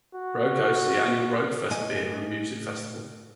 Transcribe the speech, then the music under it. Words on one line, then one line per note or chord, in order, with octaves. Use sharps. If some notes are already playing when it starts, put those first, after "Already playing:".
Roke hosts the annual Rokefest Beer and Music Festival.
F#4
A2 A3 E4 A4 D#5 G#5